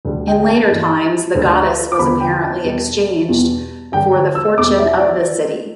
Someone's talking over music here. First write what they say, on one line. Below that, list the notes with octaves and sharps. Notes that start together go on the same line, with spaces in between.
In later times, the goddess was apparently exchanged for the Fortune of the City.
D2 D3 G3
G5
G5
A5
G2 E3 G3
D2 D3 G3
D6
E2 D3 G3 B5
G5
A5
E2 B2 G3
E2 B2 G3
G2 D3 G3 G5
A5
E6
E2 B2 G3 D6
E5
E5
D5